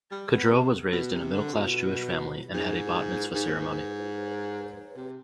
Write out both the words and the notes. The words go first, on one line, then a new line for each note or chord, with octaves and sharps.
Kudrow was raised in a middle-class Jewish family and had a Bat Mitzvah ceremony.
G3
B3
C3
B2
C3
D3
B2
G#2
G#2
C3